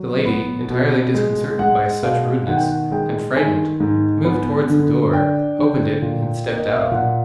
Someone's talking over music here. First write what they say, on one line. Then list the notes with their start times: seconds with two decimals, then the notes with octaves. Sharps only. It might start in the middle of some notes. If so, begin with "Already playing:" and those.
The lady, entirely disconcerted by such rudeness, and frightened, moved towards the door, opened it and stepped out.
Already playing: F#3
0.25 B3
0.70 B2
1.15 G#3
1.59 G#3 F#5
2.03 B2 F5
2.47 D#3 F#5
2.57 G5
2.67 F#5
2.92 G#3 G5
3.36 D#3 G#5
3.80 G#2
4.25 B3
4.69 D3
5.13 D4 G5
5.59 D3
6.02 A#2
6.47 A#3
6.57 D#5
6.69 E5
6.80 F5
6.91 A#2 F#5